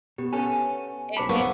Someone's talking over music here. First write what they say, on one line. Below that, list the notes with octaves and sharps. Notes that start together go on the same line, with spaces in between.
and and
B2 G4
B3 C#4 A4 G#5
B1 C5 A5 B5 D6 C#7
B3 G#4 A#4 F5 C#6